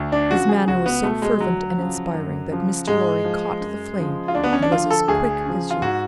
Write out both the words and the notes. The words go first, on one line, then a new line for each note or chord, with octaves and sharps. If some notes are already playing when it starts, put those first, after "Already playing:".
His manner was so fervent and inspiring, that Mr. Lorry caught the flame, and was as quick as youth.
Already playing: D2
D4
C#3 F3 F#4
G#4
C#2 F#4
B3
B2 A3
G#3
D2 F#3
C#3 F3
F#2
C#3 F3
G#2 G#3
F3
F#2
C#3 F3
F4
D2 D4
B3
C#4
D4
D3 F3 F4
A4
D2 G#4
C#3 F3
F4
G#2 F#4